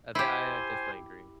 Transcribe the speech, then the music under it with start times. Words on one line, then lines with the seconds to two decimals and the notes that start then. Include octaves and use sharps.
I de I definitely agree.
0.15 E4 G4 C5 G#5 C6